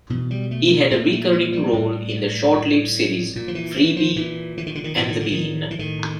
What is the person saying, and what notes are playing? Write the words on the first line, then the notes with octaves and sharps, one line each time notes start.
He had a recurring role in the short-lived series "Freebie and the Bean".
B2 E3
G3
A3
A#2 A3
A3
G#3
G3
A2
A2
A#2
F3
E3
E3
F3
A#2 E3
E3
D#3
D3
D#3
A2 E3
D#3
D3
D#3
E3
A2 D#3